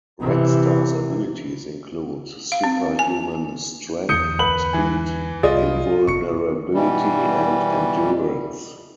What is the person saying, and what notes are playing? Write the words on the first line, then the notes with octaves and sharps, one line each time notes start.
Red Star's abilities include superhuman strength, speed, invulnerability, and endurance.
C3 E3
F5
C4
G#5
E2 D3 D#6 G6 C#7
B4 B5 F#7
E3 G#5
C2 F4 G#4 D5 D#5
F1 C#6 C#7
B2 E3 G3